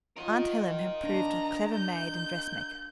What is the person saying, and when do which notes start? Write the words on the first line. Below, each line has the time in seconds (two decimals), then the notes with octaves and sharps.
Aunt Helen had proved a clever maid and dressmaker.
0.17 F4 A#4 D#5 F5 F#5
1.04 D4 A#5
1.74 G6